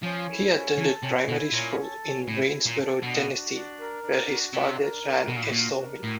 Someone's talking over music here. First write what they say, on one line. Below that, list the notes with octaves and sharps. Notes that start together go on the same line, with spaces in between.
He attended primary school in Waynesboro, Tennessee where his father ran a sawmill.
F3 C#4
E4
C#4
E3 A4
C3 C#4
B2 E4
A#2 C#4
A4
C#4
A2 E4
C#4
A#2
A4
B2 D4
F#4
D4
A#4
D4
F#4
C3 D4
A#4
D4
B2 F#4
A#2
A2
A#2 D4
A#4
A2 F#4